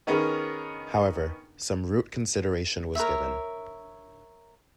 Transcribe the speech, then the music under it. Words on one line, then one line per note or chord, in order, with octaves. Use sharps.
However, some route consideration was given.
D#3 B3 C#4 G#4 A#4
A#4 C#5 E5